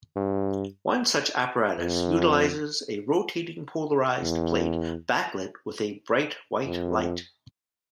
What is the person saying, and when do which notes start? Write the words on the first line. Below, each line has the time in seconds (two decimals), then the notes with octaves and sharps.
One such apparatus utilises a rotating polarised plate backlit with a bright white light.
0.16 G2
1.78 F2
4.22 E2
6.66 F2